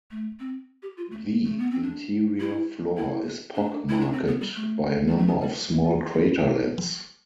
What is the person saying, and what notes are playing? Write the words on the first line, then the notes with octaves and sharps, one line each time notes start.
The interior floor is pock-marked by a number of small craterlets.
A3
C4
G4
F4
A3
A3
B3
C4
D4
E4
E4
D4
E4
D4
C4
B3
G3
A3
G3
A3
B3
G3
E4
F4
E4